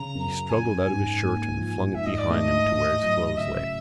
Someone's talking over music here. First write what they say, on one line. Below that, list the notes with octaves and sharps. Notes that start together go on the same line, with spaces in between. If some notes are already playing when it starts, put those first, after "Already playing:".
He struggled out of his shirt and flung it behind him to where his clothes lay.
Already playing: C#3 A#5
F#2
C#4 G#5
G#2
A#3
F3
G#2 E5
D#5
D5
A3 D#5
A2
F#3
C#3 E5